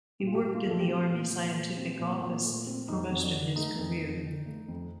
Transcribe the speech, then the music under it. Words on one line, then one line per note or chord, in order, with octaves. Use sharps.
He worked in the Army Scientific Office for most of his career.
A#2 G4
F4
G4
A#2
F4
A3 A4
G4
C4 F4
A#2
A#2
A3
C4
A#2
A#2
A3
C4
F2 D#4
F2
D4
D3
A3 D#4
F2
F2
D3
A3
F2